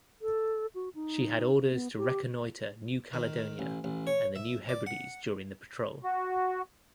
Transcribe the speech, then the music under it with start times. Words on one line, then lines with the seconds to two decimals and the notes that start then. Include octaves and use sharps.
She had orders to reconnoiter New Caledonia and the New Hebrides during the patrol.
0.22 A4
0.75 F#4
0.95 D#4
1.72 B3
1.97 G4
3.14 D#3
3.59 A1
3.84 A1
4.07 C#5
4.36 E5
4.69 D5
4.87 F#5
6.04 F#4